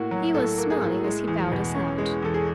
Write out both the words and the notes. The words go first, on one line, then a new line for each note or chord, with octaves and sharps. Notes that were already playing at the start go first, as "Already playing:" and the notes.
He was smiling as he bowed us out.
Already playing: A2 A#3 F#4
F#3
A2 A4
A#3
G#4
A2
G#3
E2
B2
C#4
G#3
E2 A4
G#4